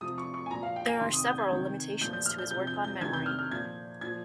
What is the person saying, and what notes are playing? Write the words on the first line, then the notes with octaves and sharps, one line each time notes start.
There are several limitations to his work on memory.
C3 F3 D#6
C#6
C#6
G#5
A#2 F3 A#5
F5
G5
G#5
C3 D#3 C6
D#6
G6
G#6
C3 D#3
A#2 F3 G6
G6
F6
G6
C3 F3 G6
G6
G6
C3 D#3 G#6
G6
F6
F6
A#2 F3 G#6
A#2 F3 G#6